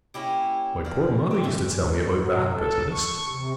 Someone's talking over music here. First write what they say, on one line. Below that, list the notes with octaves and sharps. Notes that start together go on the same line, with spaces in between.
My poor mother used to tell me about that business.
A#3 C#4 E4 G4
D3 F5
G4 C5
B3 C#4 E5
F#3
A4
C#6
C3